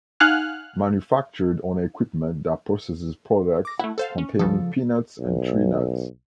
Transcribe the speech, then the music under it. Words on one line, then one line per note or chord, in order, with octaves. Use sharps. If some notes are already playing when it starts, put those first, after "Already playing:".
Manufactured on equipment that processes products containing peanuts and tree nuts.
D#4 F5 F#5 G#5 F6 F#6
D6 A#6
A3 E4 F#5
A4 C5 F5
C#4
C#2 C#3 F3 A4
B1